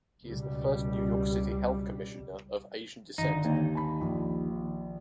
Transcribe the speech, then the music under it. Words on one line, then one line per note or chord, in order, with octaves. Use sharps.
He is the first New York City Health Commissioner of Asian descent.
C#2 B2 G3
G#1 D3 D#4
D#2
G#5 A5 B5
A#1